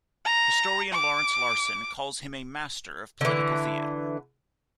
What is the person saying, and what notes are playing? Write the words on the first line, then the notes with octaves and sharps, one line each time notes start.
Historian Lawrence Larsen calls him "a master of "political theater.
A#5
D6
D3 E3